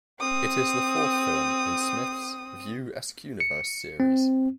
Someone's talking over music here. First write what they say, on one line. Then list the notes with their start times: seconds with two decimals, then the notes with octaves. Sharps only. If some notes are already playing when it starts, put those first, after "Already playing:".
It is the fourth film in Smith's View Askewniverse series.
0.20 C4 D#6
3.40 C#7
4.00 C4